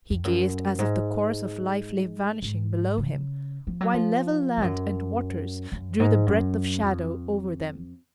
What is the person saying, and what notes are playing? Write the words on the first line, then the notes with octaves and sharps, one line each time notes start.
He gazed as if the course of life lay vanishing below him, while level land and waters drew the breadth of shadow over them.
F2
F#2
G#2
G#2
C#3
F3
F#3
F3
F2
F#2
F#2
G#2
F#2
F2